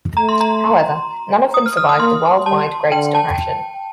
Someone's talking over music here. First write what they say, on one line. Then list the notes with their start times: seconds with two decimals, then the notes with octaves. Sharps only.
However, none of them survived the worldwide Great Depression.
0.17 A3 A#5
0.29 C6
0.40 A#5
1.54 D#6
1.66 F6
1.77 F6
1.89 D#6
2.00 A#3 C6
2.45 G3 A5
2.92 D3 G5
3.15 A5